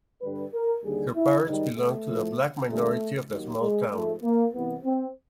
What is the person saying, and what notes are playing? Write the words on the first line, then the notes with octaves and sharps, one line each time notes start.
Her parents belonged to the black minority of the small town.
G2 D3 G3 B4
A#4
D#2 D3 G3 G#4
E4
G#2 D#3 G3 D#4
A3
A2 F3
F2 D3 G3 A3
D#2 D#3 F#3
G#3
G#2 F3 A3
A#3
C2 C3 E3 B3
C4